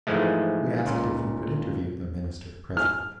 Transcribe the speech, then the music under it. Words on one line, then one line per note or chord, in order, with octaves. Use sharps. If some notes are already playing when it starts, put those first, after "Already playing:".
We asked if we could interview the Minister-president.
G#2 E3 F3 G#3 A3
C#2 A#2
F6